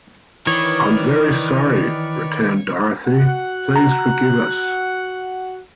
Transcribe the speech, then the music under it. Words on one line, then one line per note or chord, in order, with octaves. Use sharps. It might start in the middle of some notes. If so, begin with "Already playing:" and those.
"I'm very sorry," returned Dorothy; "please forgive us."
D#3 E3 B4 C#5 D5
F#4 F#5
A#5